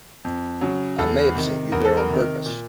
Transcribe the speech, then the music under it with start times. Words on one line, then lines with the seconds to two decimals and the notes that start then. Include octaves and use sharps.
I may have sent you there on purpose.
0.25 F2
0.61 C#3 F#3
0.98 E2 A4
1.35 C3 D#3
1.72 E2 A#4
1.85 A4
1.97 A#4
2.09 C3 D#3
2.46 A#2